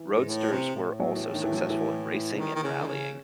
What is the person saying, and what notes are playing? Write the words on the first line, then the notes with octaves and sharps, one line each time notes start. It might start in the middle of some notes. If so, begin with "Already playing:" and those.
Roadsters were also successful in racing and rallying.
Already playing: E3
G#2
A2
C3
A2
F#3
E3
D#3
E3
F#3
E3
C#3
D#3
D#3
C#3
D#3
C#3